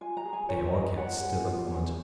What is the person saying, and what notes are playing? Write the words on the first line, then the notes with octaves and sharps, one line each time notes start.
They all kept still a moment.
F4 G#5
A#5
G#4
G#5
F4 C#5
G#4 D#5
F4 F#5
G#4
F4
G#4